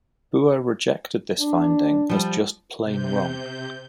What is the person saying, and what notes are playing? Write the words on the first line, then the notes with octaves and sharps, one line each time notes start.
Bua rejected this finding as just plain wrong.
D4
F3 G3
C3 G6